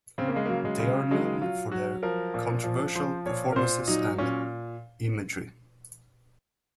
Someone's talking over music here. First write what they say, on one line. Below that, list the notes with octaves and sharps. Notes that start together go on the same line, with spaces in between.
They are known for their controversial performances and imagery.
C#3 C4
A#3
G#3
F#3 A#3
G#3
C#3
F#3 G#3
F#3 F4
F#3 F#4
F3 A#4
A#2
F3
F3 C5
A#2 C#5
A#4
A#2 C5
F#3 D#4
A#2 C#4